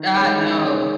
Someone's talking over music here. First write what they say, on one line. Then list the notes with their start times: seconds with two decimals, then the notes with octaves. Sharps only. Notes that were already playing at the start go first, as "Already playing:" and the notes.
Ah, no.
Already playing: D#3
0.17 G#3 C#4
0.41 D#3
0.64 G#3 C#4